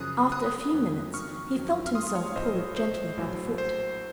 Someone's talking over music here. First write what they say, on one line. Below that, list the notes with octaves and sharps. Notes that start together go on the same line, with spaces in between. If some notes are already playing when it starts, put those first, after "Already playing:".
After a few minutes he felt himself pulled gently by the foot.
Already playing: F#2 C#3 F3 D#6 F#6
D#6 F#6
F2 D#3 F#3
C#6 F6
F2 D#3 F#3
F6
C6 D#6
C#5 F5
A#1 A2 F3 C5 D#5
C#5
C5
A#1 A2 F#3
C5